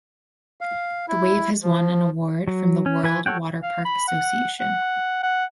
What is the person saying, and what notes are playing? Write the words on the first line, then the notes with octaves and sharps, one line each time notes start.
The Wave has won an award from the World Waterpark Association.
F5
E4
F3
F#3
C#4
E3 B4 G#5
F#4 A4 C#5 F#5 G5
F5
B5
F#5
F#5
F#5